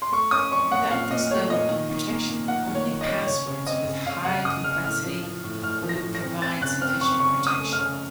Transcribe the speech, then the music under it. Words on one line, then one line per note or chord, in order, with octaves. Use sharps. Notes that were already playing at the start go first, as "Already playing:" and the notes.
Without this level of protection, only passwords with high complexity would provide sufficient protection.
C6
A3 C#6
C#4 D#6
C#4 C#6
C#4 F#5
A#2 F5
A#2 D#5
A3 C#5
A#2 D#5
D#3
D#3
A#3
A#3
A#3 F#5
D#3
C#5
D#3
D#5
C#4
C#3 C#5
C#3
C4 D#5
C#3
C#3 F5
C#3 F#5
C#3 D#6
C#3 F6
A2 F6
F3
F3
A2
A2 F6
F3
A#6
A2
A#6
C4
C4 A6
C#3 F#6
C4 F6
C4 C#6
C#3 C#6
C#3
D#6
A3
F6
C#3